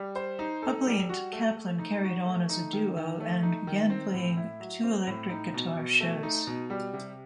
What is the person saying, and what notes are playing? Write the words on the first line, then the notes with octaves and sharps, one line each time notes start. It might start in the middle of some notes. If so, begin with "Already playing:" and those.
Hubley and Kaplan carried on as a duo and began playing two-electric-guitar shows.
Already playing: G3
C5
D#4
A4
G3
F#4
A3
A3
D#4
F#4
A3
D#4
D#3
D#3
A3
D#4
D#3
C4
A2
E4
F#3
C4
A2
D#4
B2
B2
A3
D#4
B2
G3
C3